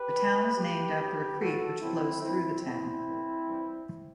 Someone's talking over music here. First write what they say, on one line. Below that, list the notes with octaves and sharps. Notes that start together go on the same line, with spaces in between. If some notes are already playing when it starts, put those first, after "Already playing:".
The town is named after a creek which flows through the town.
Already playing: G4 B4
B2 G3
B2 G3 G4 B4
G2 D3 F#3
A2 E3 G3 F#4 A4
B2 F#3 C4 E4
F#2 E3 G3 C4 E4
E2 C3 G3 C4 E4
A2 E3 G3
G2 E3 G3